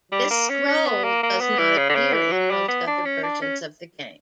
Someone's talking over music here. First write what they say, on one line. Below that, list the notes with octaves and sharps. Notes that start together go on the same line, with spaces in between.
This scroll does not appear in most other versions of the game.
G3
A#3
C#4
C#4
B3
A#3
A#3
B3
E3
C#3
D3
C#3
E3
F#3
G3
B3
D4
C#4
D4
C#4